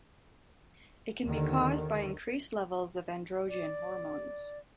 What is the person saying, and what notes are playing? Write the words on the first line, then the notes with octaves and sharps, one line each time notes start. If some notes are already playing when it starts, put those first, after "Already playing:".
It can be caused by increased levels of androgen hormones.
D#2 D3 D#3
D5